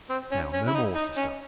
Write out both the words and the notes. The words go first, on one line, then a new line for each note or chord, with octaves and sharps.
Now, no more, sister!
C4
C#4
C#4
E4
D#4
D#4
C#4